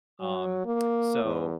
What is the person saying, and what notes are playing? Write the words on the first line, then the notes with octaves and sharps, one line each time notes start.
Um, so
F#3
A#3
E2